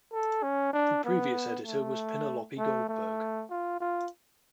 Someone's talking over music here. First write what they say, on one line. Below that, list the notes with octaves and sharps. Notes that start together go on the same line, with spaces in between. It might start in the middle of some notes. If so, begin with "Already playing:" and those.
The previous editor was Pinelopi Goldberg.
A4
C#4
D4
B3
A3
A3
A3
F4
F4